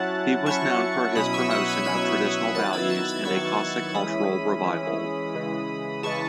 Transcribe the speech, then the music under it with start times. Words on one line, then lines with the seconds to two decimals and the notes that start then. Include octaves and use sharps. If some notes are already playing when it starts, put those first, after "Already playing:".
He was known for his promotion of traditional values and a Cossack cultural revival.
Already playing: F#3 C#4 E4 F#5 A5
0.46 F#3 C#4 E4 A5 C#6
1.15 B2 F#3 C#4 E4 B5 D#6
1.33 C#6 E6
1.50 D#6 F#6
1.68 E6 G#6
1.85 B2 F#3 C#4 E4 E6 G#6
2.55 D#3 F#3 B3 E4 F#6 A6
2.73 E6 G#6
2.90 F#6 A6
3.08 E6 G#6
3.25 D#3 F#3 B3 E4 C#6 E6
3.94 E3 G#3 C#4 E4 B5 D#6
4.64 E3 G#3 C#4 E4
5.34 C#3 E3 G#3
6.03 C#3 E3 G#3 A5 C#6